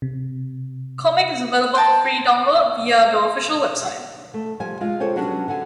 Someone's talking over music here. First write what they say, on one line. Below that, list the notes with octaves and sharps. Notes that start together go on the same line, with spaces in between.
The comic is available for free download, via the official website.
C3
C5 G5 A5 A#5
A3
F3 G3 G#5
G#3 F4
G#4 A4 C5 C#5 G5 G#5
F#3 G3 B3 C#4 D4 F#4
D3 F#5 G#5